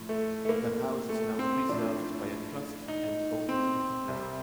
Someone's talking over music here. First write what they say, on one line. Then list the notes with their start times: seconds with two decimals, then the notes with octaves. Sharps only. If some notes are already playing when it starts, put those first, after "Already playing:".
The house is now preserved by a trust and open to the public.
Already playing: A2 F3
0.09 A3
0.45 A3
0.49 A#3
1.09 A3
1.39 C4
1.69 A2 F3 D4
2.88 D#4
3.49 C4
4.08 C2 C3 G3